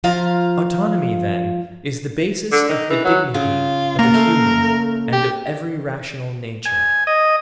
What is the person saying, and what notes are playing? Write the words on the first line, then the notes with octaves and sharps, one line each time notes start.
Autonomy then is the basis of the dignity of human and of every rational nature.
F3 F4 F5 A#5
D3
D#3
E3
F#3
C#3 F4
A#3 F4 A#4 F#5
A3 F5
G4
G#5
D#5